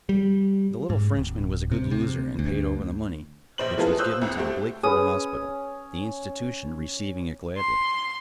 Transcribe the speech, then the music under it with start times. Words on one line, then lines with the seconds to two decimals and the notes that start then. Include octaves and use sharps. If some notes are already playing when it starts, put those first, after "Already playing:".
The little Frenchman was a good loser, and paid over the money, which was given to the Blakeville Hospital, the institution receiving it gladly.
0.09 G3
0.90 G#2
1.17 D1
1.71 C3
1.91 C3
2.39 D2
3.58 A#1 C5 F#7
3.77 E3 G#3 B3 F4 G#4 A4
3.98 C5 D#6 E6 F#6 G6
4.22 C2
4.38 A3 C4 G4
4.83 C#4 G#4 B4 D#6
7.57 C6